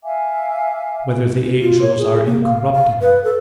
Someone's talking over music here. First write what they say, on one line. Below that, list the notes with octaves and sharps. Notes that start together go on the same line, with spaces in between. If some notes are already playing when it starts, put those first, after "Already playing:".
Whether the Angels Are Incorruptible?
E5 F5 G#5 D6
F4
C#5
G#4
A#3
F5
F5
B4
A4